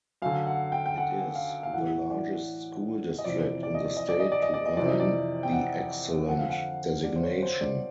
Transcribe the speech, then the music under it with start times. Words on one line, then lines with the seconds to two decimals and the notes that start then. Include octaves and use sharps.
It is the largest school district in the state to earn the 'Excellent' designation.
0.22 F#2 D3 F5
0.47 F#5
0.72 G5
0.86 G5
0.98 F#5
1.35 F5
1.63 F5
1.74 A2 E3 F#5
2.11 D5
3.19 D#5
3.24 F2 C3 E3 D5
3.63 D5
3.74 D#5
3.85 D5
3.97 D#5
4.09 D5
4.20 D#5
4.32 D5
4.42 D#5
4.54 D5
4.66 D#5
4.76 F2 C3 E3 D5
4.88 D#5
5.00 D5
5.43 G5
5.53 F#5
6.28 F2 D3 F#5
6.39 F5
6.49 F#5
7.04 D5
7.16 C5
7.23 C#5
7.43 C5
7.61 D5